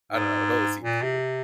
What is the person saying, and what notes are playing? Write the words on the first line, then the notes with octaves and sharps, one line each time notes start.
I don't know, it always seemed cool.
G#2
A#2
C3